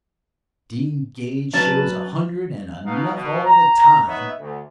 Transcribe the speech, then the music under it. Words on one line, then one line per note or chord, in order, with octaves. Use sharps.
Steam-gauge shows a hundred and enough all the time.
F#3 C#4 D4 B4 A5
B2 D#4 F5
B2
A#5
B3 D#4 B4 C#5 D#5 E5
D2